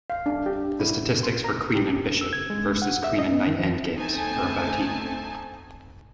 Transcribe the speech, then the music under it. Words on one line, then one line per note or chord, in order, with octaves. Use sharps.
The statistics for queen and bishop versus queen and knight endgames are about even.
F5
D4
G4
E4
C6
A#5
G4
E6
G#6
G#3
F#5
E5
D#5
B3
D#3
F3
D2 A3 C4 D#4 G#5 A5